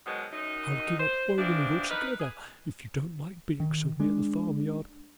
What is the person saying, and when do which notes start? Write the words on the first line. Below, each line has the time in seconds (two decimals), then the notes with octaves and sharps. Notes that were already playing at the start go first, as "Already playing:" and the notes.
I'll give up Oileymead altogether, if you don't like being so near the farm-yard.
0.06 G#2 B2 D#3 F#3 G#3
0.32 F#2 D#4
1.00 C5
1.37 E3 F3 C4 D4
1.90 D#4 A#4 B4
2.20 G#4
3.60 D#3
4.00 G#3 D4